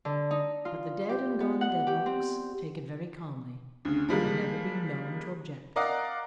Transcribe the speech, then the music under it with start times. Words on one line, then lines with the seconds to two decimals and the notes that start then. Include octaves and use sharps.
But the dead-and-gone Dedlocks take it very calmly and have never been known to object.
0.05 D3
0.31 D#4
0.65 F4
1.09 G4
1.40 B3
1.61 F#5
1.87 G4
2.06 C4
3.85 D2 C#3
4.08 F3 G3 G#3 A#3
5.76 A#4 D5 D#5 F5 F#5